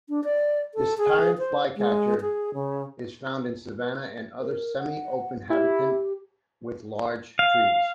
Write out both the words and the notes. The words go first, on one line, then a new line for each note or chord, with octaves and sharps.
This tyrant flycatcher is found in savannah and other semi-open habitat with large trees.
D4
D5
A4
G#4
C5
G#3
G#4
C#3
A#4
F#5
E4 G4
F5